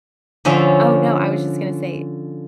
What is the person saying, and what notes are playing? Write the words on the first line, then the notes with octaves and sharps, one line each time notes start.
Oh, no. I was just gonna say
D3 F3 C#4 F4 E5